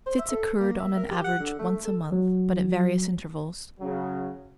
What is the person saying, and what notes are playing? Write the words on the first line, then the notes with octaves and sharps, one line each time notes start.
The fits occurred, on an average, once a month, but at various intervals.
C5
E5
A4
A#3
E5
A#4
G4
F#5
D3
A3
A4
F#3
C#3 F#3